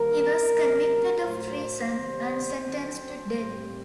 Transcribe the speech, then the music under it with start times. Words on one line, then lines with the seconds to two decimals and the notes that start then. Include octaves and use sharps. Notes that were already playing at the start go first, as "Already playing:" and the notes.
He was convicted of treason and sentenced to death.
Already playing: D#3 G3 A#3 A#4
0.48 C3 F#3 A#3
1.20 A2 F#3 A3 C5
1.93 C3 D#3 G3
2.66 D3 F#3 C4
3.39 A2 G3 C4